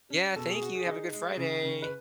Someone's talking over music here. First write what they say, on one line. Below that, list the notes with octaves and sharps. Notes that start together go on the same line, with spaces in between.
Yeah, thank you, have a good Friday.
C#4
B2 A4
G#4
F#4
G#4
D#4
G#3
C#3
C#3
B4